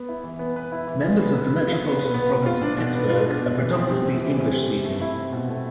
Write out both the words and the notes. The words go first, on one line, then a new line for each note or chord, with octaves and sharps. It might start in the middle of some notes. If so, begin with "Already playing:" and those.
Members of the metropolitan province of Pittsburgh are predominantly English-speaking.
Already playing: B3 B4
E4
E3
B3
B4
E4
E3
F4
B3
B4
B3
F4
B3
B4
B3
B3
F4
D4
B2
B3
F4
D4
B2
E3
C4
G3
C3
E3
C4
G3
C3
A3
E4
C4
B2
A3